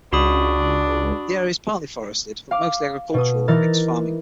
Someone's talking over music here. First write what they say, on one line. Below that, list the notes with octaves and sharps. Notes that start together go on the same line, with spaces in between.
The area is partly forested but mostly agricultural with mixed farming.
C#2 D4 F#4 B5 D#6
F5 D6
B2 D#6
E3 D#4 A#4 E6 F6 A6